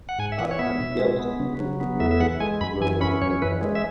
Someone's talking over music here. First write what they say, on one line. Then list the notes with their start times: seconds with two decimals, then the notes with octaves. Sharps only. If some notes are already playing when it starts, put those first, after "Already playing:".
Arkhangelsky is the nearest rural locality.
0.09 F#5
0.18 G#2 G#5
0.32 E5
0.39 E3 F#5
0.51 C#5
0.59 B3 E5
0.80 B2
0.99 G#3
1.19 B3
1.40 C#3
1.60 F#3
1.80 B3
2.00 E2 E5
2.11 E5
2.20 E3 F#5
2.40 G#3 G#5
2.61 F#2 B5
2.81 E3 G#5
3.01 C#4 B5
3.21 F#2 C#5
3.42 E3 B4
3.61 G#3
3.75 E5